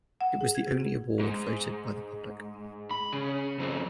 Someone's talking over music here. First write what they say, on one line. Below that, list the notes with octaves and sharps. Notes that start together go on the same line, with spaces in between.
It was the only award voted by the public.
F#5
G#4
G#6
F#4
G#2
B5
C#3
F#2 C4